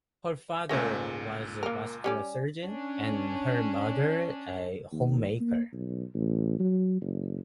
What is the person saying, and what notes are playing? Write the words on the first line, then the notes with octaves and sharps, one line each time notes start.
Her father was a vascular surgeon and her mother a homemaker.
C#2 A#2 A3 C#4 A#6
A#3 A#4
G3 C#4 D5
C#4 D4
D#2
A#3
B1
A1
F#3
F#1